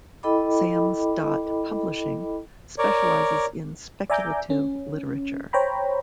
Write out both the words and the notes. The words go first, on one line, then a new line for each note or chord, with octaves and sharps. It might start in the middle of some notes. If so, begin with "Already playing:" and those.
Sam's Dot Publishing specializes in speculative literature.
E4 A4 D#5 G5 B5 D6
A#4 C#5 D5
D5 E5 G#5 A#5 D6 G6
C#4
C5 C#5 G5 A#5 B5